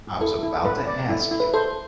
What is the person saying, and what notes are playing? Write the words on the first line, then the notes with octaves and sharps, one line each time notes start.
I was about to ask you.
E4 A4
E4
B4
D5
E4
E4
B4
A4 C5